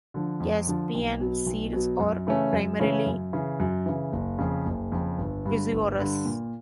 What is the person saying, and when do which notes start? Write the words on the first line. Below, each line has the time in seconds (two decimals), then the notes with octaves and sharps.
Caspian seals are primarily piscivorous.
0.14 D3 F3
0.40 F2
0.67 D3 F3
0.94 B1
1.20 B2 F#3
1.46 B1
1.73 B2 F#3
2.00 F#2
2.27 C#3 E3 A3 C#4
2.53 F#2
2.80 C#3 E3 A3 C#4
3.06 F#2
3.33 C#3 E3
3.60 F#2
3.86 C#3 E3
4.13 F#1
4.38 F2 C#3
4.66 F#1
4.92 F2 C#3
5.18 G1
5.45 G2 D3
5.72 G1
5.99 G2 D3
6.25 A#2